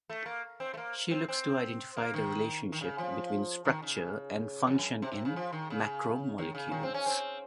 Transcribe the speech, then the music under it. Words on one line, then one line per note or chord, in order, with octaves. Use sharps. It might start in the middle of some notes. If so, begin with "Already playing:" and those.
She looks to identify the relationship between structure and function in macromolecules.
A3
A#3
C4
A3
A#3
C4
C4
A#3
D#3
D#3
C#3
F3
D#3
C#3
F2
F#2
C3
C3
C#3
F3
D#3
C#3
D#3
C#3
D#3
C4
C#4
C4